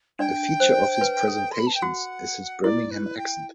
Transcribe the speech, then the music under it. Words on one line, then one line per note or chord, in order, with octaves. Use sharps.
A feature of his presentations is his Birmingham accent.
D4 D5 G5
C5
B4
A4
C6
B5
A5
G5
F#4 F#5
E4 D5
B4
G5